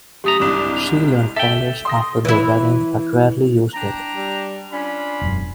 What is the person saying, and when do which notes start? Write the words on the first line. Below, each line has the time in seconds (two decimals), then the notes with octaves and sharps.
She learned Polish after the wedding but rarely used it.
0.24 F#2 A3 G4 A#5 D#6
0.40 C2 G#2 D3 G3 D4
0.76 F7
1.36 A4 E5 G5 B6
1.85 C6 D#6 A#6
2.25 E3 E4
3.74 D4 G5 A#5
4.15 G3
4.72 C#4 D4 F4 B5
5.21 E1 F#2